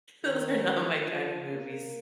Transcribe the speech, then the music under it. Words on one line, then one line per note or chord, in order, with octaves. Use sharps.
Those are not my kind of movies.
D#3
F3
A#3